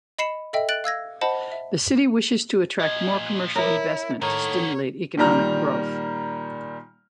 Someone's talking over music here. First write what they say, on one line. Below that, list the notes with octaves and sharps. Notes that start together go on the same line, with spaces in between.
The city wishes to attract more commercial investment to stimulate economic growth.
D#5 B5 C7 C#7 E7
A4 D#5 E5 G5
F#6 A6 D7 F#7
F5 E6 G#6 A#6
C5 D#5 F#5 A5 B5
E5
A#2 F3 D#5 G#6
E4 A#4 C#5
A2 D#3 A#3 F#4 C#5 A#5
A#2 D#3 G3 A#5 F6